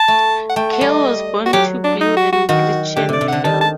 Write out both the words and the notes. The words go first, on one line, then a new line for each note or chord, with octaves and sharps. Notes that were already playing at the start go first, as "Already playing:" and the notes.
Curl was born to Bill and Gretchen Curl.
Already playing: A5
A3
F#5
A3 G5
F#5
G3
D#5
F#4
F#3 G4
D4
D#4
F#4
F#4
D#3 F#4
D3 G4
C3 D5
C3
D3 F#5
D#3 A5
A5